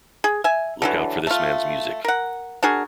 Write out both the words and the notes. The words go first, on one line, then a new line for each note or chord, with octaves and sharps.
Look out for this man's music'.
G#4
E5 G#5
D3 E3 F#3
A3 F4
A#4 F#5
D4 F#4 G#4 A#4